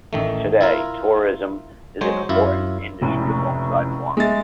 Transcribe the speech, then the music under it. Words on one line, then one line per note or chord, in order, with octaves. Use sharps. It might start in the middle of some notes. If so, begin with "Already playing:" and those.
Today tourism is an important industry alongside farming.
A1 D#3 A3
E4 F4 A#4
F#3 G#3 C5 C#5
F#2 E4 F4
F1 C#2 A2
G#3 E5 A6